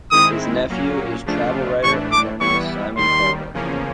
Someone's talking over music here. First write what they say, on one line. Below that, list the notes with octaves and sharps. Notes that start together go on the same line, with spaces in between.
His nephew is travel writer and journalist Simon Calder.
D#3 G#3 C4 E4 D#6
A#2 F#3 A#3 C#4
C#3 F3 A3 D4 F4
A2 E3 A3 D4 C#6
D6
E3 G3 B3 E4 C#6
D#2 D#3 G3 C6
E2 C#3 F3 A#3 C#4